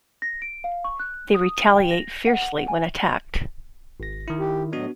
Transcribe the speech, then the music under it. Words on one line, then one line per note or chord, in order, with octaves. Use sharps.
They retaliate fiercely when attacked.
A#6
D7
F5
C#6
F#6
D#6
G5
A#6
F#5
G#5
G#1 A#6
D#3 E4
G4
A2 F#3 B3 D4 F#4 D#5